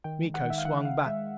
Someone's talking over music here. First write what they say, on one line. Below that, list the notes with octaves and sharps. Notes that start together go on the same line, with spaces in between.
Miko swung back.
D#3 G5
G#3
F#5
D#3
E5
F5
D#3 F#5
D#3 F5
F5
G#3 E5